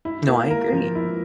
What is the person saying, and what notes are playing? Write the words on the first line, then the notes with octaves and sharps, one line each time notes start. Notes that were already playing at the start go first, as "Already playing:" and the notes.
No, I agree.
E4
A#3
A#4
F3
E4